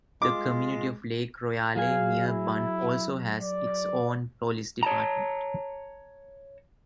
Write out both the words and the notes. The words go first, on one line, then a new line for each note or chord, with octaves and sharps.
The community of Lake Royale near Bunn also has its own police department.
G#3 F4 D6
F#3 G#4 F5 G#5
E4
D5
C#5 A5 A#5